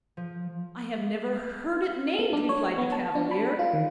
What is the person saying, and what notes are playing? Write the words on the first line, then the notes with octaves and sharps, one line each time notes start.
"I have never heard it named," replied the Cavalier.
F3
B3
D4
C#5
B3
A5
D4
B5
F4
D#3